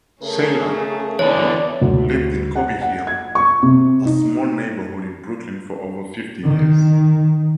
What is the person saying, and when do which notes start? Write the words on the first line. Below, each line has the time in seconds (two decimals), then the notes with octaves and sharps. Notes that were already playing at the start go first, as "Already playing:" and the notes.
Sheila lived in Cobble Hill, a small neighborhood in Brooklyn for over fifty years.
0.22 C#3 A3 C#4 G#4 A#4
1.19 E2 D3 E3 B3 C#5 D5
1.81 D2
2.55 F#5
2.81 F#5
3.07 G#6
3.35 C#6
3.63 C3
4.05 D#4
6.44 D#3